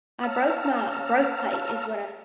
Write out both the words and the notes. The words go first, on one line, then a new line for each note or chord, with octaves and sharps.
I broke my growth plate, is what I
C#5 F5 A5 A#5 E6 F6